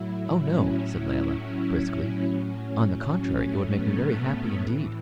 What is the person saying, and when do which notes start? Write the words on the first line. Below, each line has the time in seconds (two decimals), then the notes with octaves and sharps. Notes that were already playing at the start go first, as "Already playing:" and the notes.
"Oh no," said Layelah, briskly; "on the contrary, it would make me very happy indeed."
Already playing: A2 F#3 E4
0.49 C#4
2.25 A2 F#3 C#4
2.84 C#4
3.43 A3
3.73 B3
4.03 A3
4.62 A2 E3